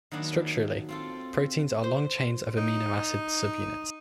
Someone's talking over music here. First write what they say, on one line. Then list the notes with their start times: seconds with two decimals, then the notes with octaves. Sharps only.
Structurally, proteins are long chains of amino acid subunits.
0.12 D#3 F#3 A#3 D4 E4
0.89 C4 F4 A4
1.84 C5
2.57 D#4